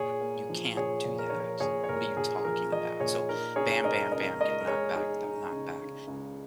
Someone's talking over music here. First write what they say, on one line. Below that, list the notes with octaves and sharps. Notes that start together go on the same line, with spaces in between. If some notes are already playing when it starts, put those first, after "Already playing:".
you can't do that. What are you talking about? So bam, bam, bam, get knocked back, d knocked back,
Already playing: A#2 G#4 C#5
A#3
F3
A#2 G#4 C#5
A#2
A#4
F3 C#5
A#4
A#2 G#4 C#5
C#5
A#2 A#4
A#2 G#4
G#4
F3 A#4
F3 A#4 D#5
A#2 G#4 C#5
D#4 A#4
C#3 G#4 C#5
D#4 A#4 D#5
C#2 A#4 D#5
G#3 A#4 D#5
A#4
G#3 G#4 C#5
D#4 G#4
D#4
C#3
C#3
C#2